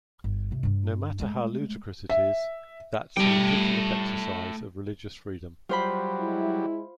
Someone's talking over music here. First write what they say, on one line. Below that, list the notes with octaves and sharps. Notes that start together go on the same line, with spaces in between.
No matter how ludicrous it is, that's a legitimate exercise of religious freedom.
G1
C3 A3
G2 D4
G#3 A3
E5
G3 A3 G5
F#3 G3 F4 C5 B5
G#3 E4